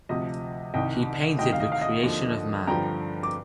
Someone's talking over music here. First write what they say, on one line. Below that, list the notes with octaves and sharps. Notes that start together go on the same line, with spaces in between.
He painted the Creation of Man.
D2 C3 F3 D#5
C2 C3 D#3 D#5 G5
D2 C3 D#3 D#5 G5
F5
D#5
F5
D#5
D#2 D3 F3
G2 D3 F3 G5 A#5
D6